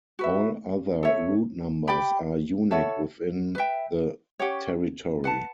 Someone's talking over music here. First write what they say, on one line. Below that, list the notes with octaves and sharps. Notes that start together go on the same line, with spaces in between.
All other route numbers are unique within the territory.
F#4 B4 E5
A4 C#5 E5
G4 D5 G5 B5
E4 A4 C#5 F#5
B4 E5 G5
C#4 G4 C#5 F#5
B4 F#5 A5